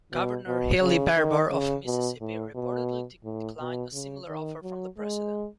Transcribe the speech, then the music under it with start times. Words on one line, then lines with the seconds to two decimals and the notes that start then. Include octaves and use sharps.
Governor Haley Barbour of Mississippi reportedly declined a similar offer from the President.
0.13 B2
0.47 B2
0.81 C#3
1.17 D#3
1.51 C#3
1.86 B2
2.21 A2
2.55 B2
3.25 A2
3.59 B2
3.93 C#3
4.28 D#3
4.63 F#3
4.98 G#3